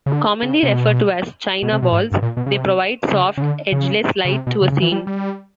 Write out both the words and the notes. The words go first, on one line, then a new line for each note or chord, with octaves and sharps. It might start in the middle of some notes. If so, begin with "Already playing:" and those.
Commonly referred to as "China balls", they provide soft, edgeless light to a scene.
C#3
D3
C#3
C3
B2
B2
C3
B2
G#2
G2
A#2
B2
C#3
C3
C#3
C#3
D3
C#3
C#3
C3
B2
C#3
C#3
E3
G3
G3